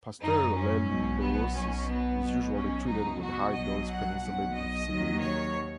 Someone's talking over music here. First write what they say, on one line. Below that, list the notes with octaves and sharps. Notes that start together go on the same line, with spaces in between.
Pasteurellosis is usually treated with high-dose penicillin if severe.
F#2 F#3 D#4
C#4
B1 B2 F#3
B3
B1 B2 F#3 C#4
B3
B1 B2 F#3
C#4
C#2 B2 F#3 D#4
F#4
B1 B2 F#3 D#5
F#5
B1 B2 F#3 F#5
D#5
D#2 D#3 F#3
C#5